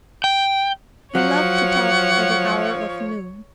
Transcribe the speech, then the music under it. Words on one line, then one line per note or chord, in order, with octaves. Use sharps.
He loved to talk at the hour of noon.
G5
F3 F#3 C#5 F#5